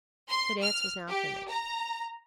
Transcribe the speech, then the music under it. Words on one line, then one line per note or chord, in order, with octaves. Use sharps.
The dance was now finished.
C6
F6
G4
A#5